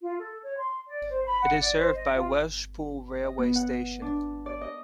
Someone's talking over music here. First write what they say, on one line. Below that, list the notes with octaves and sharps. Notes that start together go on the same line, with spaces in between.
It is served by Welshpool railway station.
F4
A4
C#5
C6
D5
C5
B5
F#5
D5
C5
D#5
F4
D#5
B3
F#5
D4
D5
D#5